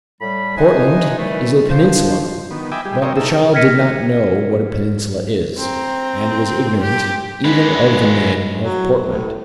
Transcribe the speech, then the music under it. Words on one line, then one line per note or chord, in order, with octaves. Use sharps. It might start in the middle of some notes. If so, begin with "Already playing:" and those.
Portland is a peninsula; but the child did not know what a peninsula is, and was ignorant even of the name of Portland.
A2 G3 B5
D#4 E4 C5 D#5 F#5 G#5
D#3 E3 G3 A3
F3 D4 C5
D#3 B3
D#5 E5 G5 G#5 B5 D6
G3 G4 G#4
C3 C4 A#4 C#5 D#5 G5
D#4 E4 A4 A#4 E6
F6 G#6 A#6 B6 C#7 D#7
C4 A#5
G4
G#3 B4
F#3
A2